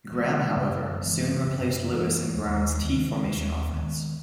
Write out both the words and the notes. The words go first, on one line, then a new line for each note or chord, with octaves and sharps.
Graham, however, soon replaced Lewis in Brown's T formation offense.
E3 G#3 B3
F#2
E3 G#3 B3
F#2
E3 G#3 B3
D#2
D#3 G#3 B3
D#2
D#3 G#3 B3